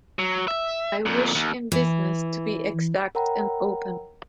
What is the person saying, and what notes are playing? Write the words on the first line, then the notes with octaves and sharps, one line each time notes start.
I wish in business to be exact and open.
F#3
E5
F2 A#2
D#2
E3
A#4 C#5 F#5 G5 A#5 B5